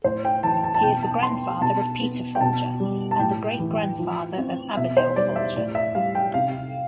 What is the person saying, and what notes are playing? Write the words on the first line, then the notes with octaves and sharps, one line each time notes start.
He is the grandfather of Peter Folger, and the great-grandfather of Abigail Folger.
A2 C5
G5
E3 A5
A5
A5
B2 G5
A5
B3 C6
B2 A5
B3
G5
B2 A5
G3
A5
A2 G5
E3
F3
C4
B2 E5
C5
G3 D5
E5
A2 D5
E5
G3 F5
G5
C3 F5